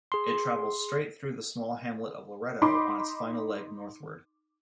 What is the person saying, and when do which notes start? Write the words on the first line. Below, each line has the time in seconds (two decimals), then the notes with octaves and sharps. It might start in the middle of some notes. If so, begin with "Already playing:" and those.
It travels straight through the small hamlet of Loretto on its final leg northward.
0.12 G#4 C6
2.62 D#4 B5 C6 D6